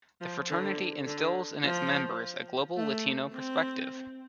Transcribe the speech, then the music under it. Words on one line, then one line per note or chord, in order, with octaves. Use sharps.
The fraternity instills in its members a global Latino perspective.
F3
D3
D3
F3
A3
C4